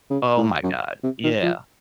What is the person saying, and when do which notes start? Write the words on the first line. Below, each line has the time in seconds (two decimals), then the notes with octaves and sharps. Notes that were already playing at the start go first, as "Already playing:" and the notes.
oh my god. Yeah.
0.10 C#3
0.37 A2
0.63 F#2
1.03 C3
1.23 D#3
1.42 F3